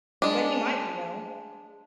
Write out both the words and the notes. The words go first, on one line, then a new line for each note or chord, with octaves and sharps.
But he might, you know.
G#3 D4